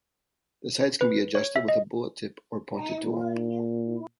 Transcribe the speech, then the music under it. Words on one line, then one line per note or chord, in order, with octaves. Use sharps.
The sights can be adjusted with a bullet tip or pointed tool.
B4
C#5
E5
D#5
A#2